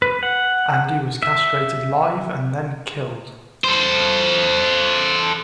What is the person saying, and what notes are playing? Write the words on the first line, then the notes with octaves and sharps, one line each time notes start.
Andy was castrated live and then killed.
B4
F#5
E5
A4 C5